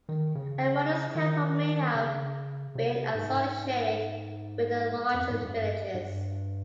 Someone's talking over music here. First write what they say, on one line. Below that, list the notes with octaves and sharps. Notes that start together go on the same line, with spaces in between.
A modest temple may have been associated with the larger villages.
D#3
C#3
D#3
C#3
C3
G#2
F2
G#2
G2
G2